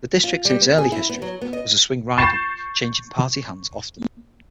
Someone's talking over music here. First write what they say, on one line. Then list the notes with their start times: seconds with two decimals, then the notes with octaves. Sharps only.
The district in its early history was a swing riding changing party hands often.
0.24 F4
0.45 G3
0.61 B3
0.78 G#4
0.92 E4
1.09 B3
1.22 F#3
1.41 B3
1.53 D#5
2.18 C#6 G6 A6 C7 E7